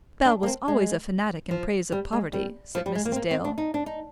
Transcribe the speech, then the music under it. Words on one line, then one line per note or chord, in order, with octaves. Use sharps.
"Bell was always a fanatic in praise of poverty," said Mrs. Dale.
D4
A#3
C4
G#3
F3
G3
G#3
G3
F3
G3
G#3
A#3
C4
A#3
C4
D4
D#4
D4
D#4